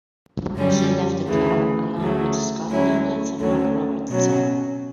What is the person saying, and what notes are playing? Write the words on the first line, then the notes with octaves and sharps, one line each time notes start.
He left the club along with Scott Newlands and Mark Robertson.
F#2 D3 G3 C#4 G4
D2 C#3 E3
D2 C#3 F#3 A3
D2 D3 F#3 C#4 E4
D2 D3 F#3 C#4
B2 F#3 C#4